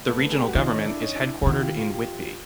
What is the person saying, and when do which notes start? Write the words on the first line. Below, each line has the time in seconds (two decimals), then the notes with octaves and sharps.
The regional government is headquartered in Whitby.
0.09 A3 B3
0.32 G#4
0.39 G4
0.47 F#4
0.54 D#3 D#4 F4
0.70 C#4 D#4
0.85 D4 E4
1.01 C#4 D#4
1.16 D4 E4
1.42 D3
1.46 D#3 E4 F#4
1.62 F4 G4
1.77 F4 G4
1.93 F4 G4